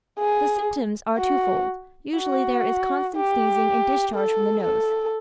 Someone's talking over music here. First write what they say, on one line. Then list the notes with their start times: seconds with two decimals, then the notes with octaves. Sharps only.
The symptoms are twofold, usually there is constant sneezing and discharge from the nose.
0.19 G#4
1.18 F#4
2.17 F#4
3.16 G4
4.15 A4
4.64 A4